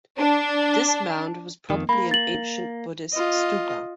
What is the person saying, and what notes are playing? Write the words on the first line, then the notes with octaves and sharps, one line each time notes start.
This mound was probably an ancient Buddhist stupa.
D4
F2 G#2 D#3
A#3 B5
A6 F#7
F4 D#5